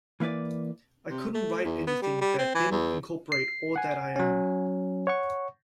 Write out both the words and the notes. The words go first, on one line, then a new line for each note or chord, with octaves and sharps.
I couldn't write anything that didn't incorporate all that I am.
E3 A#3 E4 B4 D5
C3
A3
E2
B3
G3
G3
C4
E3
E2
C7
F#5 G#5
F#3 C#4
C#5 F#5 C#6